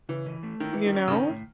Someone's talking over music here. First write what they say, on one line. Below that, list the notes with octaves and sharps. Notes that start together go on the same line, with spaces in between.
You know?
C#3 E3
E3
A3
D#3 E4
E3
E4
D#3
C#4
C#3
D#3 C#4
A2